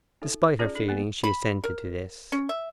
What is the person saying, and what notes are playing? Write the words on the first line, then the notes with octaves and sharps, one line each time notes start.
Despite her feeling she assented to this.
D#4 A4
C#4 D#4 F4 G#4 D5 A5
D4 A4
A#3 B3
B5
A#4
C#4
E5